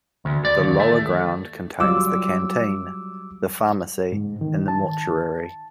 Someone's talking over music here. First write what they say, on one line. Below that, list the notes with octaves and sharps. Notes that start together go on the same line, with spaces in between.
The lower ground contains the canteen, the pharmacy and the mortuary.
D2
D5
D#2
A3
F#3 G3 F4 D6 E6
G#2
D#3
A5